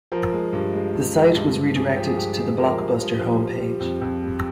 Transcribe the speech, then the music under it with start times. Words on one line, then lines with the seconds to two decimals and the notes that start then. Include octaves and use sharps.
The site was re-directed to the Blockbuster home page.
0.12 F3 A#4
0.32 G#3
0.53 G2
0.73 G#3
0.94 G2
1.14 G#3
1.34 G2
1.55 G2
1.75 G2 G#4
1.96 F3 G4
2.07 G#4
2.16 G2 G4
2.37 G#3 G#4
2.57 F3 A#4
2.78 G2
2.99 F3
3.19 F3
3.40 G3
3.60 G3
3.80 F2
4.01 F2
4.22 G3